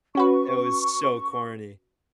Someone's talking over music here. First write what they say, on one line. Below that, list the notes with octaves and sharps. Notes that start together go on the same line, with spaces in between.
It was so corny.
C#4 F#4 B4 C#6